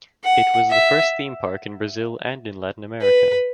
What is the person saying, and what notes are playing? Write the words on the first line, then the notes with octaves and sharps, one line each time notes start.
It was the first theme park in Brazil and in Latin America.
F#5
E5
B4